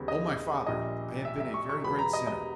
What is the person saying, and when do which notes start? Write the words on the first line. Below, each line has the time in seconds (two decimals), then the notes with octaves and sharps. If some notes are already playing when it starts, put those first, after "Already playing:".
"O my father, I have been a very great sinner!"
Already playing: D#2 C#3 G3 B3
0.08 D#5
0.67 A#1 A#2 G3 D#5
1.25 E5
1.40 E5
1.54 C#6
1.69 C#6
1.83 E2 B2 G#3 B3 B5
1.99 A#5
2.13 D#5
2.27 D#5